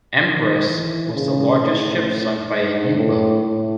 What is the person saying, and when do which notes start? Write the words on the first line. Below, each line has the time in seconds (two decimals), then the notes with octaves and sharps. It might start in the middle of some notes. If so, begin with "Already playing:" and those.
"Empress" was the largest ship sunk by a U-boat.
0.22 D#3
0.68 E3
1.14 C#3
1.60 A2
2.51 G#2
2.97 A2
3.43 A2